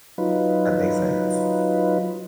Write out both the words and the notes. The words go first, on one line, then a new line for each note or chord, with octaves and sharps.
That makes sense.
F#3 D#4 F4 B4